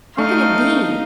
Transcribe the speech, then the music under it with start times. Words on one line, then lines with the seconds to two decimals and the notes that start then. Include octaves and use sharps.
How can it be?
0.18 A3 D#4 F5